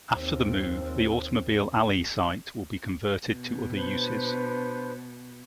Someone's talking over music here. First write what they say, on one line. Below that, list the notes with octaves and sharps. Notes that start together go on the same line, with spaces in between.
After the move, the Automobile Alley site will be converted to other uses.
D#2 C4
B2
D4 B4 C5